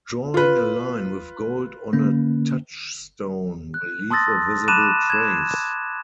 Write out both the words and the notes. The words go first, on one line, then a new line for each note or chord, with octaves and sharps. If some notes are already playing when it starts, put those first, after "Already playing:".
Drawing a line with gold on a touchstone will leave a visible trace.
F4 B4
D3 A#3 C#4
F#6
A5 C6 D#6 E6 A6 A#6
A5 B5 D6 F#6 D#7 E7
G#6 E7